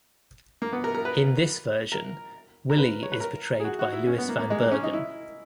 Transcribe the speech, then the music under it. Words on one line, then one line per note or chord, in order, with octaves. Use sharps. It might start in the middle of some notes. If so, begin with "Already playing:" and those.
In this version, Willie is portrayed by Lewis Van Bergen.
A#3
B3
A#4
A#4
B4
A#4
A#4
B4
C#5
B4
A#4
G#4
F#4
F#4
E4
C#4
B3
A#3
A#3
G#3
A#3
C#4
D#4
E4